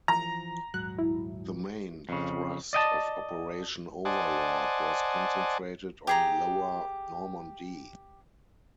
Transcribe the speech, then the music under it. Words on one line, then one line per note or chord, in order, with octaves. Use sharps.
The main thrust of Operation Overlord was concentrated on Lower Normandy.
E3 F3 A#5
D#1 G#2 F#3 F#6
E4
F2 C#3
D5 D#5 G5 A5
C5 D5 D#5 F#5 G#5 A5
G4 G#4 A#5